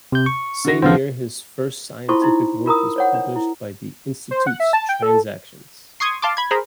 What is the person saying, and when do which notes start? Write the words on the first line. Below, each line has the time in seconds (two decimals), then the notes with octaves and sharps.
Same year his first scientific work was published by the institutes "Transactions".
0.12 C3 G6
0.26 C#6
0.65 D3 F#4 A#6
0.82 E2 D3 F3 C5 F5
2.09 E4 F4 A4 C5 C6 C#6
2.22 D#4 E4
2.66 F4 A#4 A#5 D#6
2.96 C5 C#5 F#5
3.14 D4
3.36 E4
4.31 C5
4.47 F#5
4.60 E5
4.73 A5
4.89 G5
5.02 A4
6.00 C6 C#6 D#6 G#6
6.22 F5 A5 C6 D6
6.37 B5 G#6
6.51 G#4 A#4 C5 B5